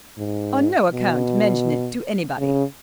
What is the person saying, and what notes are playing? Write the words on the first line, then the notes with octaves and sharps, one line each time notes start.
"On no account mention it to anybody."
G#2
B2
C#3